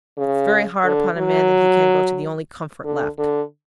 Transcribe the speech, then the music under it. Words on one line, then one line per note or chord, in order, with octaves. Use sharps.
It's very hard upon a man that he can't go to the only comfort left.'
C#3
D3
F#3
D3
D3